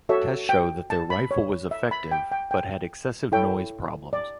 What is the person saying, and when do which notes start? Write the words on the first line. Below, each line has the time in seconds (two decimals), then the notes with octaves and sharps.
Tests showed that their rifle was effective, but had excessive noise problems.
0.09 F#4 A4 C#5 E5
0.49 G5
0.90 A5
1.10 B5
1.31 C#5
1.71 E5
1.91 B5
2.11 G5
2.32 G5
2.51 G5
3.32 E4 A4 C#5 G5
4.13 D5